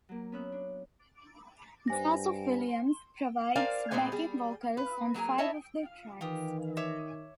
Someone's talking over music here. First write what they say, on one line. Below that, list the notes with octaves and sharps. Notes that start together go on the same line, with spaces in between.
Joseph Williams provides backing vocals on five of the tracks.
F#3 A#3
B3 C#4 E5 F#6
D4
G2 C5 G#5 A#6
A#4 C5 D5 F5 G#5
A#2 G#3 B3 C5 D5 G#5
G3 G#4
B4
F#3 A#3 G#4 G#5
E4 C#5 D#5 E5 A5
D#3 E3 F4 G4 D#6
C#5 E5 D6